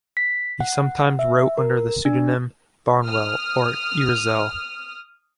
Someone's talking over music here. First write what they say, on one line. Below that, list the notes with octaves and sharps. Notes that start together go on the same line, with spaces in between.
He sometimes wrote under the pseudonym "Barnwell" or "Ira Zell".
B6
F#5
E5
A#4
D4
D#6 F6